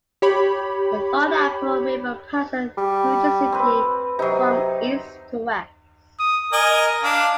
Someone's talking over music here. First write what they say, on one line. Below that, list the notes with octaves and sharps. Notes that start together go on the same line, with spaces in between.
The Thornapple River passes through the city from east to west.
G4 C#5 B5
G3
C4 B4
C3 F#3 D#4
D#6
A#4 D#5 G#5
D4 F5